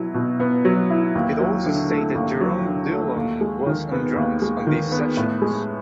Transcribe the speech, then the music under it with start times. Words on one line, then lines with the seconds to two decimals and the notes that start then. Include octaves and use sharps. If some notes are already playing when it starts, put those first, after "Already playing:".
It also stated Jerome Dillon was on drums on these sessions.
Already playing: B2 F#3 E4
0.14 B2
0.40 B3
0.65 F#3
0.90 E4
1.15 D#2
1.40 F#3
1.65 D3
1.90 A3
2.15 D#2
2.41 F#3
2.66 D3
2.91 A3
3.16 D#2
3.41 G#3
3.66 D#3
3.92 B3
4.16 D#2
4.42 G#3
4.67 D#3
4.92 B3
5.17 A2
5.42 G#3